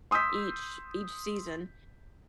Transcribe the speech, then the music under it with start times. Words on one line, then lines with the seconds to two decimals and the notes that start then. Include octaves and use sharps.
each each season,
0.11 C6 D#6 E6 G6 B6